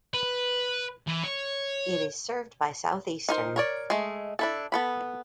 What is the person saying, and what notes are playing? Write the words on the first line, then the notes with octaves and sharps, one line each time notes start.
It is served by Southeastern.
B4
E3
C#5
D#4 A#4 C5
A#4 C#5 D5
G#3 A3
D4 E4 A4
B3 A4 B5